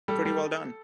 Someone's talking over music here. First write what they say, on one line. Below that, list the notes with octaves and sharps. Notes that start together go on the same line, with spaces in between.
Pretty well done!
G3 A4
G3